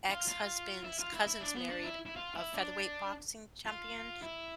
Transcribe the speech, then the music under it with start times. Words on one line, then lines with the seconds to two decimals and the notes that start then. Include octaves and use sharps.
ex-husband's cousins married a featherweight boxing champion,
0.10 F4
0.28 F4
0.84 E4
1.00 F4
1.14 E4
1.27 E4
1.41 D4
1.55 B3
1.70 D4
1.83 E4
2.05 E4
2.16 F4
2.35 E4
2.54 D4
3.66 F4
4.23 E4